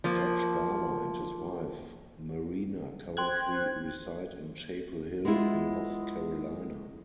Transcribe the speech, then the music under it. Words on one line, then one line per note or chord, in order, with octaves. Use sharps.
Judge Barber and his wife Marina currently reside in Chapel Hill, North Carolina.
F3 A#3
C5 G5 F#6 G#6
G#3 B3 E4 F4